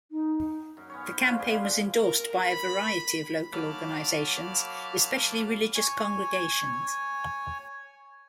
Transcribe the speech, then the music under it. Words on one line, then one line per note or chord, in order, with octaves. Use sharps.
The campaign was endorsed by a variety of local organizations, especially religious congregations.
D#4
F#2
B3 C#4 C#5
C5 C#5
D3 A#3 F4
G4 G#4 B4 F5
F#2 F3
A#4
B5
F#3 A#3 A5 B5 D6 F6
C#5 G#5